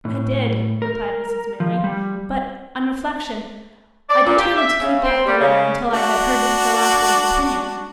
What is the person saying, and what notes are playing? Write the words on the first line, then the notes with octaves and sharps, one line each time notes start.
'I did,' replied Mrs. Maylie; 'but, on reflection, I determined to keep back the letter until I had heard Mr. Losberne's opinion.'
A2
A#4
F3
G3
D5
A#2
G4
E5
C#3
C4
G3
C#3
D4 F#4